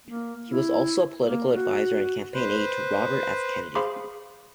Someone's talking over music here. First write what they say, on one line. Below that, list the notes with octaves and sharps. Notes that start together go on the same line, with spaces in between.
He was also a political adviser and campaign aide to Robert F. Kennedy.
A#3
E4
A#3
F#4
B4 C5
G#4 C5 F5 B5 C6 D6